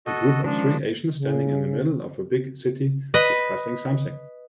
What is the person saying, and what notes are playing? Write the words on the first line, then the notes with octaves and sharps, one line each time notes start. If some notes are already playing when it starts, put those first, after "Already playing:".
A group of three Asians standing in the middle of a big city discussing something.
F#4 A4 D#5
D#3 F3 G#3 C#4 D4
C#3
B4 D#5